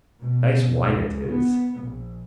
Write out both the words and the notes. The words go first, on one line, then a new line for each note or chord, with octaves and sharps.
Nice wine it is.
B2
C#2
B3
A#1